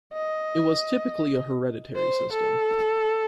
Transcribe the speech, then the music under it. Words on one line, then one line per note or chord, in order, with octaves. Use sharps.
It was typically a hereditary system.
D#5
C5
A4